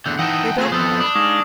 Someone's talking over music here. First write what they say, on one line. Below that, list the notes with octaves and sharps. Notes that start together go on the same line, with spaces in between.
They don't matter.
E2 D3 F#6 G6
E3 D#4 F#5 G5 A5
A3 A#3 F4 G#4
F2 F3 B3 A4 C5 D#6 E6
D4 B5 D#6
G#3 D#4 F5 C#6 D#6